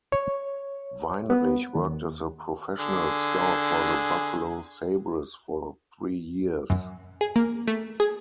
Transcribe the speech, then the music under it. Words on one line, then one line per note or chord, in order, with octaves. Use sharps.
Weinrich worked as a professional scout for the Buffalo Sabres for three years.
C#5
B3
D#2
D3 G#4
F#2
G#4
A#3
A3
G#4